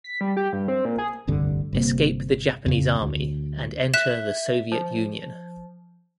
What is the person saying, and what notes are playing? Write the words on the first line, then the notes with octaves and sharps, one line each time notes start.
Escape the Japanese army and enter the Soviet Union.
B6
G3
G4
G2
C4
A#2
G#4
F1 C2 G2 D3
G1 C3 A#3
F2 C#3
D2
E5 F#6 B6 E7
F3